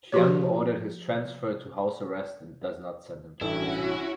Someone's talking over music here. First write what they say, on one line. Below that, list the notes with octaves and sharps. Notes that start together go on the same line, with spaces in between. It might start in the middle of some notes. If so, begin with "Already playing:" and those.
Chiang ordered his transfer to house arrest and does not send him to prison.
F3 F#4 G4 C#5
A1 G2 C#4 E4 F#4 A4